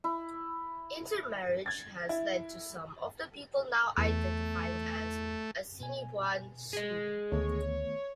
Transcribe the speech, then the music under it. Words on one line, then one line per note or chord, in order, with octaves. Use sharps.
Intermarriage has led to some of the people now identifying as "Assiniboine Sioux".
E4
G#6 A6
E4
E2 A3
B2 G#5
G#4 D#5
D2 D#3 A3 B3 C#5